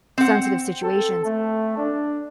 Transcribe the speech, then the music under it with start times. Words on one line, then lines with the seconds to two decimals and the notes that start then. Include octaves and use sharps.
sensitive situations.
0.18 C4 F#5
0.83 A4
1.25 A3
1.77 D4